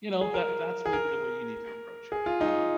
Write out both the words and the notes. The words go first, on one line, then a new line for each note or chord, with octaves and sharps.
you know, that that's maybe the way you need to approach it. Um,
G#4
A#4
G#4
A#4
G#4
F4
D#4